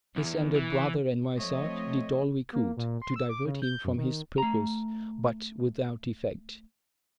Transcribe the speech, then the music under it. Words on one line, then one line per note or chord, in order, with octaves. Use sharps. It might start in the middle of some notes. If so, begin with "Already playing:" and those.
His elder brother and myself did all we could to divert him from his purpose, but without effect.
E2
E3
F3 A3 C4 C#5 D#5
A#3
A#2
C6
E6
D6
C#3
G6
F#2
D#3
A3 A#5